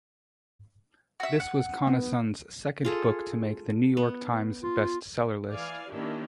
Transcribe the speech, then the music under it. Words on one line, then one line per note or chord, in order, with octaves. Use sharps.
This was Conason's second book to make the "New York Times" bestseller list.
F#4 E5
F#5
B3
F4 G#4 A4
B3
F4
E3 D5 F5 G#5
D#3 A#3 C#4 D4 E4 G4